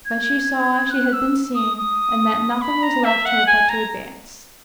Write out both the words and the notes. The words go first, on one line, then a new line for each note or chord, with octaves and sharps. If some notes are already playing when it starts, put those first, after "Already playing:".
But she saw she had been seen and that nothing was left her but to advance.
G#6
F#6
E6
D#6
D#6
B5
A#5
E5
F#5
G#5
A#5